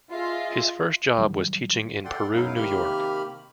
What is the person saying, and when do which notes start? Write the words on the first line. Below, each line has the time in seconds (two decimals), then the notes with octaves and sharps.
His first job was teaching in Peru, New York.
0.12 F4 G#4 D#5 E5
1.18 A2 D#3 F#3 G3
2.05 A4 D5 F#5 G5 C6
2.32 F#2 F#3 G#3 D#4 E4 F5
2.55 C3 D#3 A#3 G4 B5 F6